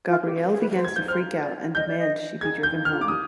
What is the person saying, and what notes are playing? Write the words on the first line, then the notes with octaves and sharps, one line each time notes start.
Gabrielle begins to freak out and demands she be driven home.
F4
G4
B4
G#4
B4
C5
G#6
G6
C5 F6
D5
D#5 G6
D5
D#5
G#4 G#6
G6
D#4
F6
F4
D6
G4 D#6